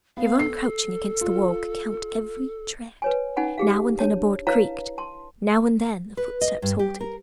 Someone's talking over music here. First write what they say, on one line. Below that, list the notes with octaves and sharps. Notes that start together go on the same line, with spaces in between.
Yvonne crouching against the wall could count every tread--now and then a board creaked--now and then the footsteps halted.
B3 F5
A4 C7
F4
B4 C#5 G#5
C#4 D#4 F#5 G#5 B5
G4 G#4 F5
D4 C#5 A5
E4 B4 C#5 F5 A5 A#5
A5 C6
B4
D#5
G2
G4
A#4